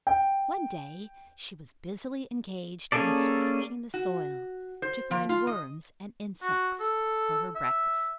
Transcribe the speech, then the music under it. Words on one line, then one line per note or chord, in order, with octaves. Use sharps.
One day she was busily engaged in scratching the soil to find worms and insects for her breakfast.
G5
A#3 C#4 G#4 A4 D5
F#4
C5
F3
F4
D#5
F#4
A4
E5